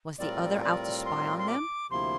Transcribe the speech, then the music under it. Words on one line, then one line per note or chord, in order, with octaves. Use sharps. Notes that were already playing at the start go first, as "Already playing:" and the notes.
Was the other out to spy on them?
A2 G3 C4 F4 A#4 D5
D5
C6
C6
D6
D2 C3 F3 A#3 E4 C6